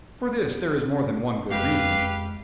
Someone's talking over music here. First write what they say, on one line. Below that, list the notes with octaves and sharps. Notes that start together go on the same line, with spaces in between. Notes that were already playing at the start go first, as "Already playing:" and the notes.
For this there is more than one good reason.
F2 G#3 G4 B4 F5